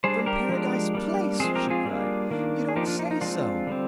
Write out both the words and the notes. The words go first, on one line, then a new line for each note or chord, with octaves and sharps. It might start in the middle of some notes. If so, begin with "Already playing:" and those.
'From Paradise Place!' she cried, 'you don't say so!
G3 D4 G#4 C5
G4 A#4
F3 G#3 D4
G3 A#3 D4
F3 G#3 C4 G#4 C5
G4 A#4
F4 G#4
G3 A#3 D4
D#3 A#3 D4
G#4
F3 A#3 D4 D#4 G4
D4 F4
D#4
D4
D#4
F3 G#3 C4 D4 F4
D3 G3 C4